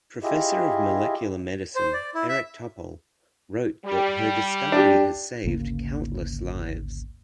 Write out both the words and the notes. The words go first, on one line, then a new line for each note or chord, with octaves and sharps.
Professor of molecular medicine Eric Topol wrote that "her discovery has saved countless lives".
E4 F4 G4 G#4 D#5 E5
C5
D5
E4
E5
G3
D4 G4
G#1 D2 C#3 A#3